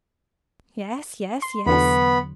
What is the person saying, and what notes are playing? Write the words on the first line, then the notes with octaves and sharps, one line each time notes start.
"Yes, yes, yes!"
C6
E2 D3 F#3 B3 B5